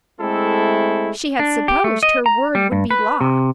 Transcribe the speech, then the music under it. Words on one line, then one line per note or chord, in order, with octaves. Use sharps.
She had supposed her word would be law.
G#3 A3 C4 E4 A4
D4
G4
A3
D#5
A#5
G3
G2
B4
C3